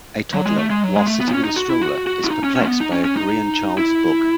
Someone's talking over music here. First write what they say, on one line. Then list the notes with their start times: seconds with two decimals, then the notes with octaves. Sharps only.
A toddler, whilst sitting in a stroller, is perplexed by a Korean child 's book.
0.34 F#3
0.46 G#3
0.58 A3
0.70 G#3
0.84 F#3
0.95 G#3
1.07 A3
1.21 B3
1.28 D#4
1.33 C#4
1.44 D#4
1.56 F#4
1.69 E4
1.82 F#4
2.07 F#4
2.24 E4
2.30 D#4
2.44 C#4
2.56 C#4
2.61 A3
2.67 B3
2.80 D#4
2.93 C#4
3.04 C#4
3.17 D#4
3.78 E4